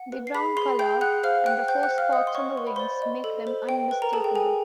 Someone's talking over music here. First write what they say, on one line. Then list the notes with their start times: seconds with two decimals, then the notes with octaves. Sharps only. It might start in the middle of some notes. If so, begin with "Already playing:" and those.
The brown colour and the four spots on the wings make them unmistakable.
Already playing: F#5
0.12 B4
0.27 C7
0.34 G#4 B5 B6
0.57 G#4 C6 C7
0.79 G#4 G5 G6
1.01 G#4 F#5 F#6
1.23 C5 F5 F6
1.46 F#5 G5 F#6
1.68 C5 G5 G6
1.83 F#5 F#6
1.91 C5
1.98 F5 F6
2.13 D#5 F#5 D#6
2.27 C6
2.35 C#5 F#5 C#6
2.57 B4 C6
2.67 B5
2.76 C5 D5 C6
3.02 D#5
3.24 A4
3.47 C5
3.69 G5
3.91 B4
4.02 A#4 A#5
4.13 G#4 A4 A5
4.24 G5
4.35 G#4 G#5